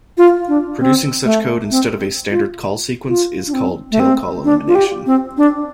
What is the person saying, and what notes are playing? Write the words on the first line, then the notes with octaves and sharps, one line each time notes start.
Producing such code instead of a standard call sequence is called tail call elimination.
F4
D4
C4
A3
C4
F4
F4
D4
C4
A3
C4
D4
F4
G4
C4
D4